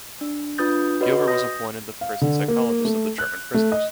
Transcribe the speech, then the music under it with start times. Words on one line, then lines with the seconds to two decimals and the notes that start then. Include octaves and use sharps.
Gilbert was appointed the Prison Psychologist of the German prisoners.
0.21 D4
0.58 D4 F4 B4 D#6 G6 A6
1.01 F#4 B4 C#5 D#5
1.28 D#6 G6 A#6
2.01 F5
2.21 D3
2.48 A#3
2.85 A3
3.18 F#6
3.54 A3
3.72 D#5